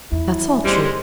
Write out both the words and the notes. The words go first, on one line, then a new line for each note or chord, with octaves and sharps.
That's all true.
E2 E4
G1 G3 G#3 C5